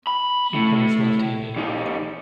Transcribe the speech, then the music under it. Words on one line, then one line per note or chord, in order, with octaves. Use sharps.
He plays left-handed.
B5
A2
E2 D#4